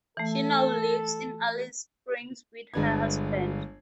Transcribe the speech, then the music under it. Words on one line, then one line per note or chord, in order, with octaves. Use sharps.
She now lives in Alice Springs with her husband.
E3 A3 A4
G1 G#3 D4 B4 G#6